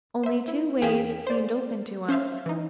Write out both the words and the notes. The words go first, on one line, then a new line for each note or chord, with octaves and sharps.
Only two ways seemed open to us.
C5 E5
E4
E2 G#4 F5 G5 B6 E7
C5 D5
C#4 C5 E5 F5
E3 D#4